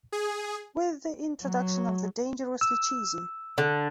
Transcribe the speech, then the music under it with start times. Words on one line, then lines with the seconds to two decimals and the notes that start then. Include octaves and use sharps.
With the introduction of the Dangerously cheesy!
0.12 G#4
1.43 F#3
2.61 E6
3.58 D3